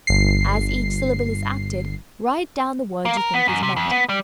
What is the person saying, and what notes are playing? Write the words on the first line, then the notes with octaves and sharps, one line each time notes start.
As each syllable is acted, write down the word you think is meant.
G1 C7
A#3
A#4
B3
F#2
C3
F2
B3
G3